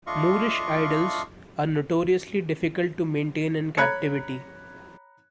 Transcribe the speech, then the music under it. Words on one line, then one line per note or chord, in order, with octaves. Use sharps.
Moorish idols are notoriously difficult to maintain in captivity.
A3 D4 F4 D#5 F5 C#6
C#5 A#5 B5 F#6 G#6 C#7